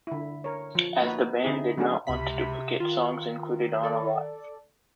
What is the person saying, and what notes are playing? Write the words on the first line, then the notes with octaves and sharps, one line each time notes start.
As the band did not want to duplicate songs included on Alive!
D3 E4
A#4 C#5
F3
A#3 D#4 F#4 B4
D3 D#4 E4 G#4
F#3 A3 C#4 D4 F#4 G#4
C#2 C3 B5 B6
D#3 F4
A4 D5